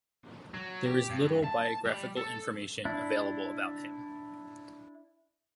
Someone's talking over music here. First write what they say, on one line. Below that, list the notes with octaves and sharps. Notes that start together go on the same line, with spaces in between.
There is little biographical information available about him.
F#3
G4
G2
A5
G3
A4
D4 E4